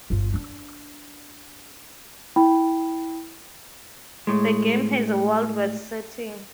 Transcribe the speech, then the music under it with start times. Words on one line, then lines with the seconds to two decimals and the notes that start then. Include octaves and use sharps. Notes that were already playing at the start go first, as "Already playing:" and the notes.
The game has a Wild West setting.
0.10 G1 F4
0.33 D4
2.36 E4 G5 B5
4.27 A2 G#3